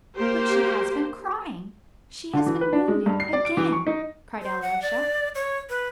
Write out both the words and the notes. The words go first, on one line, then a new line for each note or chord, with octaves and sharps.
"But she has been crying--she has been wounded again," cried Alyosha.
A#3 G4 C5
D3
E3
B4
D4
G#3
G2
C7
D5
D7
E3
C#6
D#4
C5
F#5
D5
C#5
B4